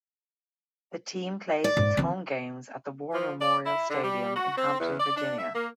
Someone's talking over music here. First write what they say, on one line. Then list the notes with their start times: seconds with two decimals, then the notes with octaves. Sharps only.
The team plays its home games at the War Memorial Stadium in Hampton, Virginia.
1.64 D5
1.77 G#2
1.97 D#3 C4
3.14 F3
3.40 D5
3.66 E4
3.90 D3
4.04 G3
4.36 F#4
4.57 C4
4.80 E2
5.00 D5
5.17 D4
5.39 E5
5.55 A#3